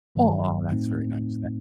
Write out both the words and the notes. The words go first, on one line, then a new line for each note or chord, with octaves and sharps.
Aww, that's very nice, thank
G1 G2 D#3 F#3
A2 A3 C4 D#4